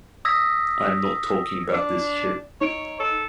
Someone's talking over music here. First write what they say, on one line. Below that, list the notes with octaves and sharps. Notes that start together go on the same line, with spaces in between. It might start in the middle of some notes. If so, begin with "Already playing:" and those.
I’m not talking about this shit.
D#6 E6 G#6 A#6 B6
D4
D#4 C#5 D7
A4